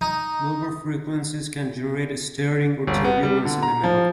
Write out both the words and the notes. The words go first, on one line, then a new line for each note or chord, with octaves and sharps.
Lower frequencies can generate stirring or turbulence in the metal.
D#4
G1
B3
G3
D3
A#5
F3